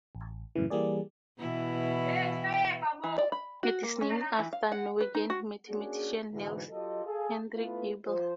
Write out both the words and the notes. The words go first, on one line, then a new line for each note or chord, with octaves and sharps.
It is named after Norwegian mathematician Niels Henrik Abel.
A1
F#2 A2 C#3 E3
E3 G3 A#3 G#4 D5
B2 E3 E4
E3
D5
B5
F#4
A#3
C#4
E3
F5
F#5
B4
D#4
F#4
A#3 C#4 D4 F#4 G#4
G#2 B2 D3 E3
F#3 F4 G4 A4 D#5
G#4 A4 F5
A3 B3 E4 F4 A4 B4
F3 C5